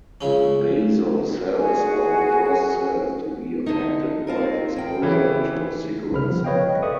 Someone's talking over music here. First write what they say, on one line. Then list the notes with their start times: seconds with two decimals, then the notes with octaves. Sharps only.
Basal cells are the first cells to be affected by exposure to cigarette smoke.
0.21 C#2 C#3 C#4
1.58 F#4 G#4 G#5
3.66 D3 D#4
4.27 C4 F4 A#4
4.76 E2 G5
5.02 C#3 E3 B3
6.11 C2 C#3 B5 F6
6.29 F3 B3
6.44 B4 C#5 D#5 F5 G5
6.83 A4 D5 E5 C#6 D#6